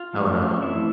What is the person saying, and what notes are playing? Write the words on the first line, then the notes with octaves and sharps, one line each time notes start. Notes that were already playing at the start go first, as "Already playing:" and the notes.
Oh, no.
Already playing: F4 F5
F3 A3 C#4
E3 A3 C4 E4 E5